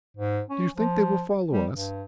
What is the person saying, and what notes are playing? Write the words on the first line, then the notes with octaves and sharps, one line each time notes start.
"Do you think they will follow us?"
G#2
C#4
F3
G3
G2